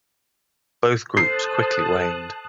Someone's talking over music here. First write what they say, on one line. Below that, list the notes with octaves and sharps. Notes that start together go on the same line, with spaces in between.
Both groups quickly waned.
A4 C5 A5 D#6 F#6 C7